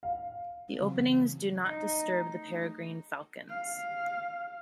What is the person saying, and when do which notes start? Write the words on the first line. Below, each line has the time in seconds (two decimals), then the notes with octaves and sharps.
The openings do not disturb the peregrine falcons.
0.03 F5
0.79 C#3 E3 F#3 C4 C#4
1.65 D#4
3.49 F5